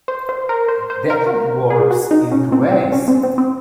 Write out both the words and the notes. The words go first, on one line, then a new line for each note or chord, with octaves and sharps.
The app works in two ways.
C5
C5
A#4
C5
C5
A#4
G#4
F#4
D#4
C#4
C4
C4
C#4
C4
C4
C4